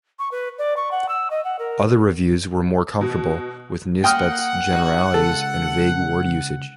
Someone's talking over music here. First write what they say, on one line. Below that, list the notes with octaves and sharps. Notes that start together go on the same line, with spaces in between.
Other reviews were more comfortable with Nisbett's generalities and vague word usage.
C#6
B4
D5
C#6
F#5
E6
D#5
F#5
A#4
B2
A#3 F#5 G5 D#6 F6
D#4 F#4
C#2 A4